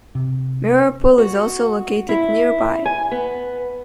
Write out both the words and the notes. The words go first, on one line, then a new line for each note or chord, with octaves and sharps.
Mirror Pool is also located nearby.
C3
F#4
E4
G#5
B3